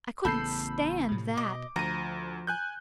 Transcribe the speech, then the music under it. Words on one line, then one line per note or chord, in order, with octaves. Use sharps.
I couldn't stand that.
A1 C#3 B3 A4 B5 G6 C7
A2 C3
B2 D#5 D6
D2 F3 A#5 D#7
G#5 F#6 G6